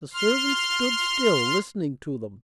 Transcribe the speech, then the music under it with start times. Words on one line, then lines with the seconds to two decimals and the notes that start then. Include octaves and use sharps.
The servant stood still listening to them.
0.13 C6 F6